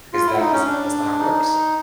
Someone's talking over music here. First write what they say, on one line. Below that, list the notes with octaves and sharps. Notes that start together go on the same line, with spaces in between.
because that doesn't that's not how it works.
F4
E4
D#4
C#4
D4
D#4